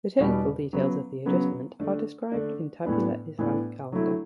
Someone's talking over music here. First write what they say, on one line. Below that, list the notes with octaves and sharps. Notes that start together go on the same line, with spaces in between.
The technical details of the adjustment are described in Tabular Islamic calendar.
E2 B2 G3 D4 G4
C#3 F#3 B3
C#3 F#3 B3
D3 A3 D4
D3 A3 D4
A2 E3 B3 D4
A2 E3 B3 D4
D3 F#3 A3 E4